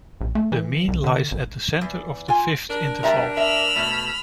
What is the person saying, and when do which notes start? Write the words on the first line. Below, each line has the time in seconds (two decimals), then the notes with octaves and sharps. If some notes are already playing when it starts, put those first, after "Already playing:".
The mean lies at the centre of the fifth interval.
0.21 A#1
0.35 A3
0.52 E3
0.88 C2
1.04 D3
1.31 G#1
1.81 E2
2.28 F4 G#5
2.70 D4 A#4
3.03 G3 E5 A#5
3.37 E5 B5 E6 F6
3.76 B2 A3